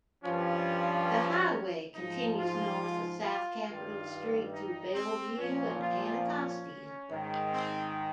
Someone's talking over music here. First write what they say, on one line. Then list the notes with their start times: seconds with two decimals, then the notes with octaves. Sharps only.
The highway continues north as South Capitol Street through Bellevue and Anacostia.
0.23 G2 F3 C#4
1.95 G#2 F3 D#4
2.39 F4
3.24 F4
3.67 G2 D#3 F4
4.52 D#4
4.95 C4
5.37 A#2 F3 C#4
5.81 F4
6.24 C#4
7.09 G#2 D#3
7.52 C4